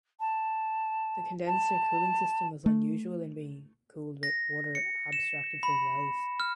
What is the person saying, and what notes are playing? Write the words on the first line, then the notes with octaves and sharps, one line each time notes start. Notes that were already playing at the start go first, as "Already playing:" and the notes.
The condenser cooling system was unusual in being cooled with water abstracted from wells.
A5
A5
A3
A#6
C#7
E7
B5
F6